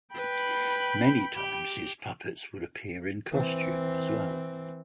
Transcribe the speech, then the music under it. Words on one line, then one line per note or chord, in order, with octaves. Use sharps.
Many times his puppets would appear in costume as well.
B4 G5 B5
G4
E3 C4